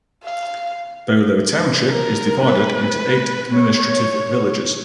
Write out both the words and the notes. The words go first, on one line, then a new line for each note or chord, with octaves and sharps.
Bolo Township is divided into eight administrative villages.
F5
A#4
B4
C#5